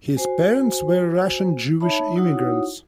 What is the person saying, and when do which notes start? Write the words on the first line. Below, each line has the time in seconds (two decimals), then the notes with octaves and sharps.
His parents were Russian Jewish immigrants.
0.17 F#4 C5 G#5
1.80 D#4 C#5 E5 A5 B5
2.16 D#4 E4 F#4 C#5 F#5 D#6